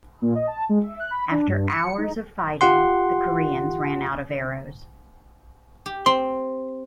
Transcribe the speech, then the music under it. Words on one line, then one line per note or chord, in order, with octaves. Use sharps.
After hours of fighting, the Koreans ran out of arrows.
A#2
D#5
A5
G#3
E5
F#6
B5
D4
G2
C#7
D#4
F4 G4 F#5 C6
G4
C4 C6